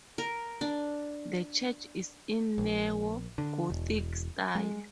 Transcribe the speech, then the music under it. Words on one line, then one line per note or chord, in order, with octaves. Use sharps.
The church is in neo-Gothic style.
A#4
D4
A#1
D3
E1
G#3